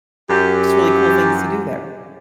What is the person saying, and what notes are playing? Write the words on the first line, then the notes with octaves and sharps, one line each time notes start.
just really cool things to do there.
F#2 G4